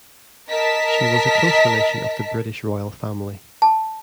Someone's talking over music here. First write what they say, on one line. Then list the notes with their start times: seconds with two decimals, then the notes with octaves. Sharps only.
She was a close relation of the British Royal Family.
0.49 A#4 D#5 A5 B6
3.62 A5